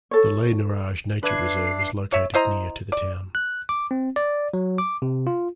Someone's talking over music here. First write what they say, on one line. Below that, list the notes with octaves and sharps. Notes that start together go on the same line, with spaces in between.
The Les Nourages Nature Reserve is located near to the town.
A4 C#5
D4 B4 E5 G#6 C7
C#5 E5
E4 C5 D#5 A#5
D5
F#6
D6
C4
D5
F#3
D6
C3
F4